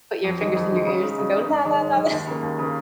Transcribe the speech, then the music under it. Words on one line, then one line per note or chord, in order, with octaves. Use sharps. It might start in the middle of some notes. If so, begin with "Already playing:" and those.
put your fingers in your ears, and go, la, la, la, la
F2
D#3 G#3
F2
D#3 G#3
C#3
G#3 D#4
C#3
G#3 D#4
G#2
D#3 G#3
G#2
D#3 G#3
D#2
C#3 A#3
D#2
C#3 A#3